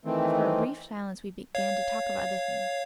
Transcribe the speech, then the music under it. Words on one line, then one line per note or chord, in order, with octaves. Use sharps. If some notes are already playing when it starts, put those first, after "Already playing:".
After a brief silence we began to talk of other things.
D#3 E3 A3 C4
C#5 F5